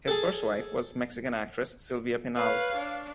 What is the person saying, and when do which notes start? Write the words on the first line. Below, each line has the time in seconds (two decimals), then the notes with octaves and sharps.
His first wife was Mexican actress Silvia Pinal.
0.08 G#4 A4
2.36 B4 C#5 F5
2.76 D4